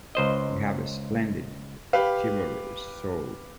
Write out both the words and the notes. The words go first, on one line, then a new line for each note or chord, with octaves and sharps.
You have a splendid, chivalrous soul.
C#2 C5 D#5
G4 B4 F5